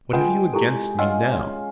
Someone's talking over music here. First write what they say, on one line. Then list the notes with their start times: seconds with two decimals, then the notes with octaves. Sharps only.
What have you against me now?
0.13 G#3 F4 B4 F#5 G5
0.53 E4 G4 A4
0.99 C#4 F4 D#5 F#5 E6